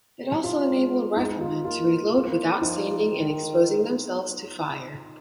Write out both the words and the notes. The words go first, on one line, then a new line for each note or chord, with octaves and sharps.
It also enabled riflemen to reload without standing and exposing themselves to fire.
C3
F4
G#3
D#4
F4
A#3 F4
A#3
F3 D#4
D#3